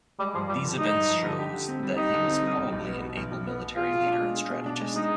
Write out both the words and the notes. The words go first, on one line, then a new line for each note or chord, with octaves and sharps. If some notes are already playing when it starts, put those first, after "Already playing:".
These events shows that he was probably an able military leader and strategist.
G3 G#3
G2 F3
F3 G3
D3
G#3 D#4
G2
F3
D3
G4
D3
C4
G3
D#4 G4
D3
C4
G3
B1
B1
B3
B2
B1
B1
B3
B2
F4 G#4
B2
D4
G#3
G#4
B2
D4
G#3
G#3 D#4